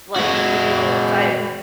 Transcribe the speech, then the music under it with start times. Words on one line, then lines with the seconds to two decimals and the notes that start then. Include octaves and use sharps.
Like, you know, if I
0.16 G#3 F#4